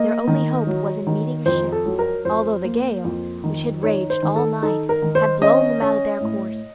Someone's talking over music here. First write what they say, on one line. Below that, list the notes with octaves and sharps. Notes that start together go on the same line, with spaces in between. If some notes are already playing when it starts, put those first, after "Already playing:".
Their only hope was in meeting a ship, although the gale, which had raged all night, had blown them out of their course.
Already playing: A#3 D#5
D#3
F#3
D#3
F2 C5
A4
F#3
A#4
F2 C5
A#3
F2
D#3
D#4 C#5
C5
D#3
A4
D#4 A4
A#4
D#3
C5
C#4 D#5
C#4
A2